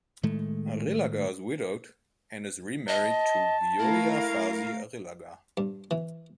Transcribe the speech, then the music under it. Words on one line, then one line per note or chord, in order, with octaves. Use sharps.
Arrillaga is widowed, and is remarried to Gioia Fasi Arrillaga.
A2 D#3 G#3 A3
D#5 A5
A3 E4 A#4 F5
G2
E3